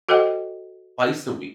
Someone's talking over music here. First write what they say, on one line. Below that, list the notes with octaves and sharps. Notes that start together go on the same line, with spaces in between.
twice a week,
F#4 A4 C5 D#5 F#5 G5